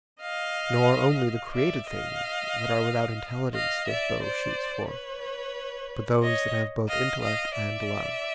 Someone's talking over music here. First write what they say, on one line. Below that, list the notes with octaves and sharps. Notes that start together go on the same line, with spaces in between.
Nor only the created things that are Without intelligence this bow shoots forth, But those that have both intellect and love.
D#5 F5
D5 E5
D#5 F5
D#5 F5
D5 E5
C5 D5
B4 C#5
C#5 D#5
D#5 F5
D#5 F5
D5 E5